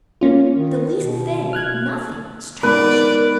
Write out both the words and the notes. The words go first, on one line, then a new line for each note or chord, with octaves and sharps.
The least thing--nothing--startles you!
A#3 C#4 F4
D#3
B2
F6 F#6 G#6
G#3 B3 D#4 A#4 B4 D5